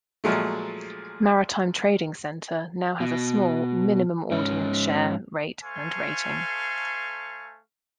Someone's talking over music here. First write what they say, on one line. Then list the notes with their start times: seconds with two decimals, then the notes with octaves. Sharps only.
Maritime Trading Center now has a small, minimal audience share, rate, and rating.
0.24 A#2 F3 F#3 G#3 A3
3.00 B2
4.32 G#2 C#4
5.62 A3 A4 C5 F5 G#5 C#6